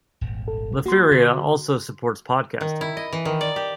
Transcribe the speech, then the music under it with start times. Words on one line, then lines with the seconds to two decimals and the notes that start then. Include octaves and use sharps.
Liferea also supports Podcasting.
0.21 D#1 G#1
0.48 A4
0.86 A#3 F#4 C6
1.11 D3
2.61 D#3
2.81 E4
2.97 D#5
3.13 E3
3.25 D#3
3.41 D5
3.56 G4